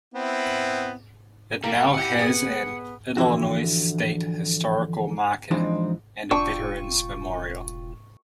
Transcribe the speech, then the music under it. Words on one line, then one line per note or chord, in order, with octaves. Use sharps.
It now has an Illinois State Historical Marker and a Veteran's Memorial.
B3 C4 E4
G3 A#3 G4
E4 G4 F#5
B3 G#4
D3 E3 F3 E4 F#4
E3 F3 G#3 C4 D4 D#4
E1 D4 F4 G5 C#6 E6